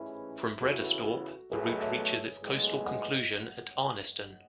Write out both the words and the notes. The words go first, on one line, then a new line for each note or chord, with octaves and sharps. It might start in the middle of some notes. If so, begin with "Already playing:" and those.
From Bredasdorp, the route reaches its coastal conclusion at Arniston.
Already playing: A1 G#2 E3 G#3 C#4 E4
C#3 E3 B3 E4 F#4 A4
B1 B2 A3 G#4 B4
B4 D#5
C#5 E5
B1 A2 G#3 B3
D#5 F#5